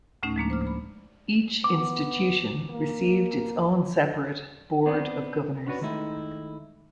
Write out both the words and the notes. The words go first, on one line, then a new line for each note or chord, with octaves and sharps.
Each institution received its own separate board of governors.
D2 A2 A3 C#4 D#4
F3 G#3 A#3 D4
C5 D6 F6
B5
B3 D6
A#3
B3 C4 D4 D5
B3 C#4 D4 F#4 B4 C#5
D#3 G#3 A3 D#4 E4